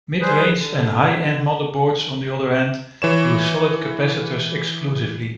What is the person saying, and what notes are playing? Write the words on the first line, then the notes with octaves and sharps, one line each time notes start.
Mid-range and high-end motherboards on the other hand use solid capacitors exclusively.
G3 G#4 B4 C5
D3
E3 C#5 E7